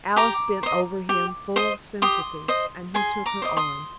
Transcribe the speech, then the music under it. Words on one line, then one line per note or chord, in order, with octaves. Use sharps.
Alice bent over him full of sympathy, and he took her arm.
G4 A#5 D6
C5 D#5
G4
C5 D#5
G4 C6 D#6
C5 D#5
G#4 G#5 C6
A#5 D6
C5 D#5
C6 D#6